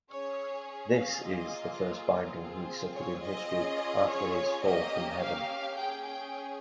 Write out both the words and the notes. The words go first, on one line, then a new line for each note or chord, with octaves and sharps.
This is the first binding he suffered in history after his fall from heaven.
C#4 G#4 C#5
F5
A#3 F4 G#4 D#5
C4 F4 G#4
C#5
D#5
C#4 F4 G#4
C#5
A#3 C#4 G4 D#5
F5
C#4 G#4 G5
G5